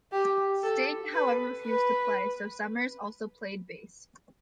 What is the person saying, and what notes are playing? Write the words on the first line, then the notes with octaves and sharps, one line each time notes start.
Sting, however, refused to play so Summers also played bass.
G4
A4
B4
B4